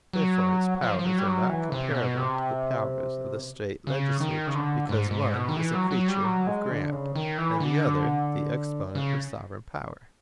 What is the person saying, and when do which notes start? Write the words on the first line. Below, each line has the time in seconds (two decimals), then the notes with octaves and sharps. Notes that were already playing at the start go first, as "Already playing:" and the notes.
Therefore its powers are not comparable to the powers of the State Legislature, because one is the creature of grant, and the other the exponent of sovereign power.
0.13 F#3
0.82 F3
0.99 F3
1.04 F#3
1.18 G3
1.27 F#3
1.49 E3
1.72 C3
1.90 A#2
1.94 B2
2.17 C3
3.87 C#3
4.20 D#3
4.47 C#3
4.55 D3
4.89 G#2
5.11 G#2
5.34 B2
5.48 D#3
5.57 E3
5.74 F#3
5.91 F#3
6.08 G3
6.24 F#3
6.47 G#3
6.70 D3
6.92 C#3
7.16 D#3
7.38 E3
7.60 D3
8.95 C#3